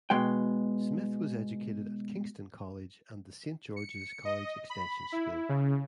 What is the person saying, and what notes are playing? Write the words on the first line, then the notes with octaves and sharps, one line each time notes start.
Smith was educated at Kingston College and the Saint George's College Extension School.
B2 G#3 G5
C#7
D#5
B5
E4
C#3